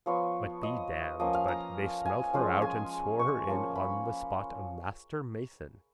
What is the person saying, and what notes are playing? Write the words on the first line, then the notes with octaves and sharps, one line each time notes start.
But be damned but they smelt her out and swore her in on the spot a master mason.
F3 B3 F4 C#5
D#5
F3 A#3 C#4 D#5
F5
A#5
G#5
F3 G#3 C#4 F4
G#5
C#6
F3 A#3 C#4 F4
B5